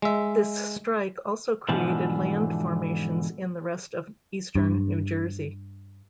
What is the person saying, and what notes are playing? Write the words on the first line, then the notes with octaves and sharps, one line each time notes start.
This strike also created land formations in the rest of eastern New Jersey.
G#3 E5
G#2 B2 D3 E3 F3
G2